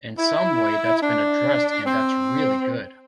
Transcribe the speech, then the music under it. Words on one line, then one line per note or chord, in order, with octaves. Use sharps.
In some way that's been addressed and that's really good.
E4
D4
C4